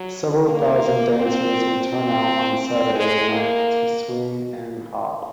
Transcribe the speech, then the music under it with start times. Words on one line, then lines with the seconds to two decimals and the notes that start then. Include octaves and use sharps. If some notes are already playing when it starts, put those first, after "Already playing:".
Several thousand dancers would turn out on Saturday night to swing and hop.
Already playing: F#3
0.45 A#3
1.17 C4
1.88 C4
2.60 C4
2.95 G#3
3.31 A#3